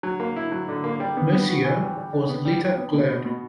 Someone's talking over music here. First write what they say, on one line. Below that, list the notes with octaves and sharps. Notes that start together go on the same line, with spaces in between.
Mercier was later cleared.
F#3
A#3
E4
F#3
D3
A#3
G3
B3
B3
F#4
E3
G3
G3
D4
B3
G3
G3
B3
B2
B2
B2